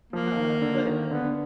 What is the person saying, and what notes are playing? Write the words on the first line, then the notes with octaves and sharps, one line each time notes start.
Uh, but
F3 A#3
D#3
D3
D#3
D3 B3